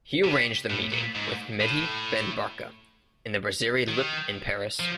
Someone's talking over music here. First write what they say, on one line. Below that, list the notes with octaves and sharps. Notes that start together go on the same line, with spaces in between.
He arranged the meeting with Mehdi Ben Barka in the "Brasserie Lipp" in Paris.
C3
A2
A#2
G#2
A2
D#3
F3